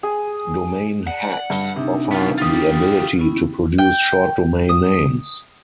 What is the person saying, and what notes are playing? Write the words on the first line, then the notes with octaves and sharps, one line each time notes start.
Domain hacks offer the ability to produce short domain names.
G#4
D5 F#5
G2
C3 D4 D#4
B3 F4
F4 G4 D#6 A6
B3 C#4 E4
G5
D#6